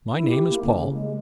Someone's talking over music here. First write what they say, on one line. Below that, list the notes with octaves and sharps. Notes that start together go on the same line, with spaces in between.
My name is Paul.
E4
G4
A#3
C#3
G#3